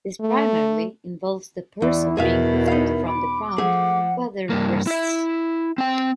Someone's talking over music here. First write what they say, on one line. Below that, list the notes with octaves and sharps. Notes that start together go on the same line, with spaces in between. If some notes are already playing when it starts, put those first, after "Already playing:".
This primarily involves the person being lifted from the ground by their wrists.
A3
E2 E4 D5
E2 B2 G#4 A#4 E5 F5
D#4 F5
B5 D6
F3 A3 G#4 F#5
G2 A#3
E4 E5
C4 G5